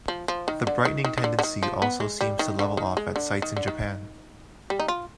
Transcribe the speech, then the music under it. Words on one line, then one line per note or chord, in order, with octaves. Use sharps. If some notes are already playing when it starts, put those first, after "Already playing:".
The brightening tendency also seems to level off at sites in Japan.
F3
F3
D#3
D3
D#3
D#3
D#3
D3
D3
D#3
F3
B3
G#3
G3
D#3
D3
D#3
G#3
D3
D#3
D3
D#3
G3
D#4
F4